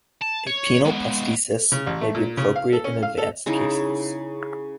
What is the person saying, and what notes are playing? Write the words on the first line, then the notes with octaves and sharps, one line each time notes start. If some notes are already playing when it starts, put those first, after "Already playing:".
A penile prosthesis may be appropriate in advanced cases.
A5
C#5
G#3 B3
C#3
A1
A3
A#2
C#3
F5
A4
C#4
F5
A4
C#3 D#4 E4